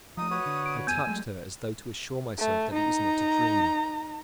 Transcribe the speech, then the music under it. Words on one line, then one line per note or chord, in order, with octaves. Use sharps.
I touched her as though to assure myself that it was not a dream.
F3 A3 D#4 D#6
F#4 B4 C#5
D3
D7
F#2 B3 G#5 E6 G6 G#6 D#7
F#3 G#3 A3
A3
D#4 A#5